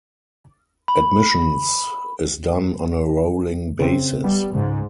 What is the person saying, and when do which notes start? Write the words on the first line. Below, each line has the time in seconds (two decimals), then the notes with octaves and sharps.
Admissions is done on a rolling basis.
0.88 B5
3.80 C#3 C4
4.24 G3 B3
4.55 C#2 G#2